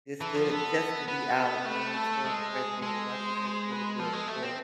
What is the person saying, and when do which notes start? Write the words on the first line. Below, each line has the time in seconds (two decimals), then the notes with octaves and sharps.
just to just to be out, you know, and smell the fresh air. So, I think that's really good for,
0.20 E3 A4
0.35 F3
0.49 B3 A4
1.08 B3 B4
1.37 A4
1.65 A3 B4
1.95 A4
2.24 G#3
2.53 G#4
2.82 G#3 A4
3.11 C5
3.70 B4
3.99 F3 A4
4.13 G#3
4.28 A3
4.43 C4